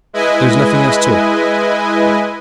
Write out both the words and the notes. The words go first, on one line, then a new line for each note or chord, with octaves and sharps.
There is nothing else taught.
G#3 E4 B4 D#5 G#5